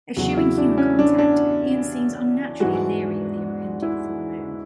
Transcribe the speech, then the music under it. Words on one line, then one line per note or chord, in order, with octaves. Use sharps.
Eschewing human contact, Ian seems unnaturally leery of the impending full moon.
E2 C#3 F#3 F#4
E4
D4
C#4
D4
D4
G#2 E3 G#3 F#4
E4